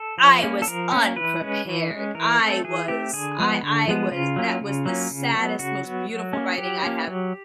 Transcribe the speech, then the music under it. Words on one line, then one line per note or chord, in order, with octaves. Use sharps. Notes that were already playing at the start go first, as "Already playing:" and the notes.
I was unprepared, I was I I was that was the saddest, most beautiful writing I have
Already playing: A4
F3
A#3 C#4
A4
F3 A#4
A#3 C#4
E3 B4
G#3 C#4
E3
G#3 C#4
E3 A#4
A3 C4 A4
E3 G#4
A3 C4 G4
D3 G#4
F3 G#3 B3
D3
F3 G#3 B3
C#3 F4
F#3 A#3 C#4
C#3
F#3 A#3 C#4
C#3
F#3 B3
C#3 F#4
F#3 B3
F#3
A#3 C#4
F#3 G4
A#3 C#4
F#3